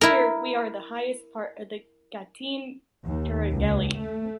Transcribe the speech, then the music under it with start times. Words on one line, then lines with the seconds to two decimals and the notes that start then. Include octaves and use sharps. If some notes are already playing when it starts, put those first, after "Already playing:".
Here, we are in the highest part of the Gâtine Tourangelle.
0.01 E4 A#4
3.05 D#2
3.54 C#2
3.98 A3